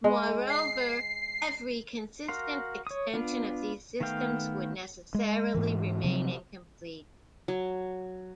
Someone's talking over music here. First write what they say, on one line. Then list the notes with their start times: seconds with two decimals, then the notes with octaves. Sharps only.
Moreover, every consistent extension of these systems would necessarily remain incomplete.
0.04 G#3
0.50 C7
2.28 F#4 A#4 F5 C6
2.87 C#5 D#6
3.14 B3 D4 F4
4.00 D#3 A3 B3 F5 G5
5.15 G#3
5.54 G#2 E3
6.04 C3 F3 F#3 C4
7.48 F#3